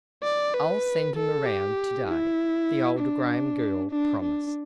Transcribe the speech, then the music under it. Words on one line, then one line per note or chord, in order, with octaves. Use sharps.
"I'll send him around today," the older Graham girl promised.
D5
B4
A4
G4
E4
D4
D4
D4